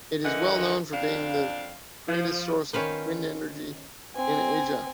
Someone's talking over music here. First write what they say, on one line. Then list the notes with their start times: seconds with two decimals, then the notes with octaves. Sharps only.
It is well known for being the greatest source of wind energy in Asia.
0.25 D3 E3 A#4 D#5 F#5
0.93 F2 D4 F5
2.09 F3
2.73 D#3 C#4 F4 B4 C5
4.16 C4 G#5